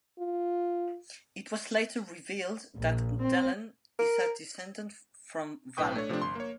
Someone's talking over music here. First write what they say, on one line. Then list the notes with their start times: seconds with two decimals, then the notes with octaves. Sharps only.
It was later revealed that Delenn is a descendant from Valen.
0.19 F4
2.76 A#1
3.22 C4
3.99 A#4
5.77 B1 A2 B4 G5 C#6 D#6
5.95 A3 D4 C#5
6.09 C3 F3 A3 C4 D4
6.22 G1 C6
6.35 A#3 C#5